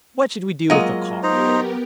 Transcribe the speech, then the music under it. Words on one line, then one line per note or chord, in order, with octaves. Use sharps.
What should we do with the cock?
F#3 G#3 A#3 F4 D#5
B3 D#4 G4 A#4 C5 A#5